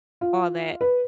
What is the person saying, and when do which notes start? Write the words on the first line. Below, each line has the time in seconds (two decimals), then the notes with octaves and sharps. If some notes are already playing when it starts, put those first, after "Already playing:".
All that.
0.21 F4
0.81 B4